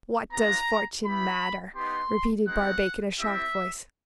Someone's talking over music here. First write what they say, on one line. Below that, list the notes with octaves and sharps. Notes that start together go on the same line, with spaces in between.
'What does fortune matter?' repeated Barbaik, in a shocked voice.
B3 D4 F4 A#5
B3 E4 G4 B5
B3 D#4 G4 C6
G#3 C4 D#4 F#4 F#5
C4 E4 G4 E5